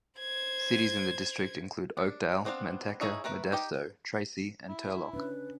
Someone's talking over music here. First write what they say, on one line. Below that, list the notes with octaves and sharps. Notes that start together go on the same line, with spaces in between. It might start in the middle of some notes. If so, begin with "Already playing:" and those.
Cities in the district include Oakdale, Manteca, Modesto, Tracy, and Turlock.
C5 G#6
D4
B3 C4 D4 C5 F5
D#4 E4 G#4 C#5 E5
A3 A#4 B4 E5
D#4 G4 G5
E4
C#4 D4 B4